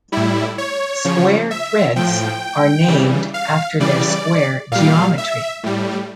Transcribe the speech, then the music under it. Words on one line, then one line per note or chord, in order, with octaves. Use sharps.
Square threads are named after their square geometry.
A2 G3 E4
C#5
C#3 F3
E5
A2 F3 G5
C#3 E3 G3
F5
C#3 E3 G3 D5
A#2 G3 F5
E5
A2 G3